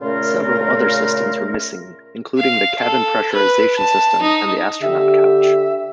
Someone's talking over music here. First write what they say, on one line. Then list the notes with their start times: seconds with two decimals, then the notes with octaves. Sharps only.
Several other systems were missing including the cabin pressurization system and the astronaut couch.
0.01 A#2 C#3 A3 C#4 F4 A#4
2.38 F5
2.79 A4
3.32 B4
3.78 A5
4.22 D#4
4.82 D3 G4 E5